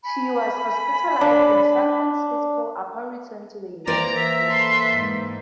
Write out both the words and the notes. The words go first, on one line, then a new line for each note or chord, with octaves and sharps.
She was hospitalized in San Francisco upon return to the United States.
G#5 B5
D4
E3 A#3 C5 D5 A#5
E5
A4 B4 C6
G#2